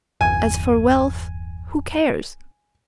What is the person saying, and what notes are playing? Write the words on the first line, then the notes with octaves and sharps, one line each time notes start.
As for wealth, who cares?
G1 E2 G#5